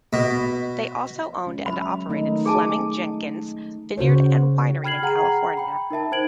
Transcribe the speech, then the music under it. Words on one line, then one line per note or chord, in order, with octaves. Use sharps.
They also owned and operated Fleming Jenkins Vineyards and Winery in California.
B2
G#3 C#4
F#3 E5 B5
D#3 A3 D#4
G#4 G#5 A5
C#3 F#4 C5 C#5
G5 B5 F6 G#6 C7 F#7
G#4 F#5 G5 A#5
G5 B5
D#4 A#4 E5 A5
D#4 C5 G5 G#6 D7 F#7